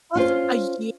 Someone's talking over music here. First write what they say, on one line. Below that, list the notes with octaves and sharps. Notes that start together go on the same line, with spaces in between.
Plus a year.
C#4 F4 C5